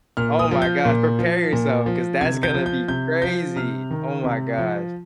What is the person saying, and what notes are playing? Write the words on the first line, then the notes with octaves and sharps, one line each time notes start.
Oh, my gosh. Prepare yourself 'cause that's gonna be crazy. Oh, my gosh.
A#2 F6
D#6
F3
G6
A#2
F3
A#2
F3
C3 G#6
G6
F3
G6
C3 G6
F3 G6
C3 F6
D#3
C3
F3